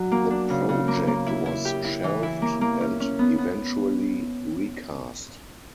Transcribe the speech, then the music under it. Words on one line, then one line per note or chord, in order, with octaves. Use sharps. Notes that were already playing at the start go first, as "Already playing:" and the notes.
The project was shelved and eventually recast.
Already playing: F#3 D4
A#3
D4
C#3
C#3
A#3
A#3
E4
E4
G4
E4
E3
E4
A#3
A#3
C#4
C#4
B3
B3